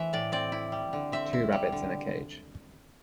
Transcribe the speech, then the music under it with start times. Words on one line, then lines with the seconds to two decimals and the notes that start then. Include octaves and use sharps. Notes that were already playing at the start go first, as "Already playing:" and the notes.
Two rabbits in a cage.
Already playing: E3 A3 C5 E5
0.13 A2 D5
0.32 C4 D5
0.52 E4
0.72 G3
0.93 D3
1.12 C4 E5
1.33 E4
1.52 G3
1.72 D3